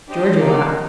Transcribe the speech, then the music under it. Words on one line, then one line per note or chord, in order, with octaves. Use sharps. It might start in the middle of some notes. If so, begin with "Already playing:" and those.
Georgie laughed.
D4 G4 C5 D#5
A#3 D#4 G4 D5